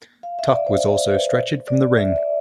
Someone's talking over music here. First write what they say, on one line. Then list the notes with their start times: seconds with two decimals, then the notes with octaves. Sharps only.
Tuck was also stretchered from the ring.
0.23 F5
0.39 E5
0.52 D5
0.67 C5
0.81 D5
1.05 B4
1.11 C5
1.68 D5
1.97 E5
2.16 D5